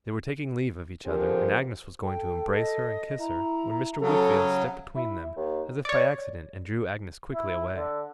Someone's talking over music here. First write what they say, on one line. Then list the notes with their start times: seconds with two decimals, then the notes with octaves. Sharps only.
They were taking leave of each other, and Agnes was going to embrace her and kiss her, when Mr. Wickfield stepped between them, as if by accident, and drew Agnes quickly away.
1.06 D3 F3 C4 G4 G#4 A#4
2.04 A4 G5
2.54 D#5
3.20 E4 A#5
4.02 C#3 F#3 A4
4.96 E4
5.37 D#2
5.85 C#5 D5
7.33 E4
7.74 D3